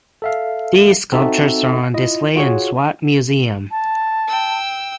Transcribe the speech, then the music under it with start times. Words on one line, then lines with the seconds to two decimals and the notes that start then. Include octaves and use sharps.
These sculptures are on display in Swat Museum.
0.22 A4 E5 F5
1.12 C4 D#4 F#4 A4 E5
1.94 E4 F4 D#5
2.36 F4 F#4 G#4 C#5
3.71 A5
4.28 G5 E6